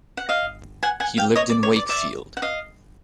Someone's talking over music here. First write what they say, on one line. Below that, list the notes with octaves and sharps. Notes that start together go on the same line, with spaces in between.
He lived in Wakefield.
F#5
D#5 F5
F#5 G#5
F#5 G#5
F5 G5
C#5 D#5
D5
C#5
D5
D5 E5
F#5
D#5 F5